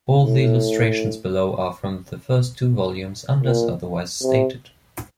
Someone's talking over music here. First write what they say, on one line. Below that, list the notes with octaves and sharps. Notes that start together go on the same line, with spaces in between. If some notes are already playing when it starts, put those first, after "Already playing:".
All the illustrations below are from the first two volumes, unless otherwise stated.
A2
A#2
C3